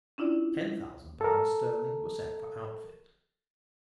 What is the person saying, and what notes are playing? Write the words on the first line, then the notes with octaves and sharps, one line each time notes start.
Ten thousand pounds sterling were sent for outfit.
C#4 D4 E4 F4 D5
A4 A#4